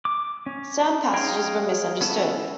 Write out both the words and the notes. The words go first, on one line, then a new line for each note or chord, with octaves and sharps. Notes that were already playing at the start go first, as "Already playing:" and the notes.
Some passages were misunderstood.
D6
C#4
G#4 C#5 D#5 F5 G5
B3 C#4 E4 A4 A5